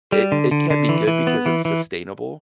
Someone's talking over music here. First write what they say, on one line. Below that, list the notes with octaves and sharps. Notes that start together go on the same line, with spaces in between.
it it can be good because it's sustainable,
G3
D3
D3
D3
E3
E3
B3
E3
E3